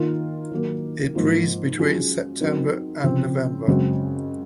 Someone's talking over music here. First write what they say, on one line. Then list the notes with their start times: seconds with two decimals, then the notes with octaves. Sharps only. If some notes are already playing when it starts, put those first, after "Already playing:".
It breeds between September and November.
Already playing: D#3 A#3 F4
0.51 D#3 F#3 A#3
1.15 G#2 F3 A#3
1.78 F#3 C#4 F4 G#4
2.41 F#3 C4 D#4 A#4
3.04 C#3 F3 C4
3.67 F#2 C#3 G#3 C4 F#4